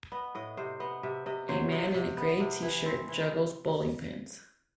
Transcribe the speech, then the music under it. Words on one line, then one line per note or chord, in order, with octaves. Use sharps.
A man in a gray tshirt juggles bowling pins.
B3 D#5
A2 D#5
C3 C5
B3 D#5
C3 E5
C3 D#5
F#3 C5
C3 D#5
C3
B3
C3
E3
C4
E3